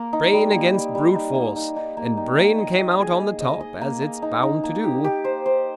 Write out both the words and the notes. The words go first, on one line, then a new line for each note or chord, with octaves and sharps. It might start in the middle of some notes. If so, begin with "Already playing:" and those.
'Brain against brute force--and brain came out on the top--as it's bound to do.
Already playing: A#3
D#4
G3
A#3
G3
G3
D#4
A#3
D#4
D#4
A#3
D#4
A#3
D#5
D#5
G#4
D#5
D#5
D#5
A#3
A#3
D#4
D#4
A#3
G4
G4
C5
C5